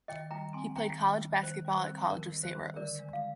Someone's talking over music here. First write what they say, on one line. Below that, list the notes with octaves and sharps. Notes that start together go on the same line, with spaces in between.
He played college basketball at College of Saint Rose.
D#3 D#5 G5
G3 G5 A#5
C4 G#5 C6
D#3 G5 A#5
D#3
G3
D#3 C5
G3
C5
C4
D#3 A#4
D#3
C5
G3
D3 A#4 D5
G#3
F5